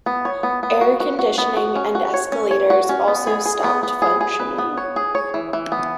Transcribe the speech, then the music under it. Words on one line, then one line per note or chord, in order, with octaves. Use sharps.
Air-conditioning and escalators also stopped functioning.
B3
C#5
B3
B3
F#4
F#4
F#4
B3
F#4
C#4
F#4
C#5
C#4
C#5
F#4
C#4
B3
G#4
G#4
B3
B3
G#4
G#4
B4
B3
C#5
G#4
C#5
E3
E3
B3